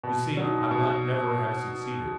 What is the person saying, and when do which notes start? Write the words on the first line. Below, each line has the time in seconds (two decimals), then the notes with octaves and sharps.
You see, I might never have succeeded.
0.04 B2
0.37 F#3 D#4
0.71 B2